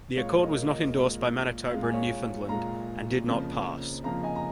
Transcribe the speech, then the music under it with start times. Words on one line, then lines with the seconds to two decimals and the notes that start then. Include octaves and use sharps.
The accord was not endorsed by Manitoba and Newfoundland, and did not pass.
0.17 A#2 G#3 C#5 F5
0.43 A#4 D#5
0.69 A#4 D#5
0.95 A#2 G#3
1.72 A#2 G#3 F5
1.83 G#5
1.93 C#5 F5
2.49 A#2 G#3 F5 A#5
3.26 F2 C#3 F3 A#3
4.04 F2 C#3 F3 A#3 F5 A#5
4.23 D#5 G#5
4.36 A#5